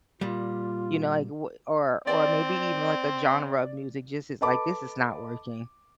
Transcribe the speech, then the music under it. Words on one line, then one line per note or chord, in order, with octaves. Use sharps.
you know, like, w or or maybe even, like, a genre of music?" just it's like, "This is not working."
A#2 G3 F4
C4 D5
A4 B4 D#5 A5 B5 D6